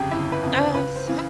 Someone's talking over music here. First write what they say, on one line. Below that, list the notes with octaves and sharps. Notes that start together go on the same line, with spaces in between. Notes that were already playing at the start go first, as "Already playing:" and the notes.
Oh, I'm so
Already playing: G1 F2 C#3 G4 G#4 G5
G1 E4 E5
B4
F2 C#3
C5
C#2 B4
C5
C#3 E3